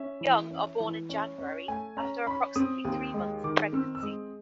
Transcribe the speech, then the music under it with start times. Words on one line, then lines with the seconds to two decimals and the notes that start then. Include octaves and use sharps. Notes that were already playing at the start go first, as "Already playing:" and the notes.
Young are born in January after approximately three months of pregnancy.
Already playing: C#4 E5
0.21 E3
0.50 C#4
0.80 E3
1.09 C#4
1.39 C#4
1.68 A3 G#5
1.97 C#4 A#5
2.26 C#4 B5
2.56 C4 D#6
2.85 D#2
3.14 G#3
3.44 D#3 D6
3.73 C4 E6
3.95 E6
4.02 G#3 D#6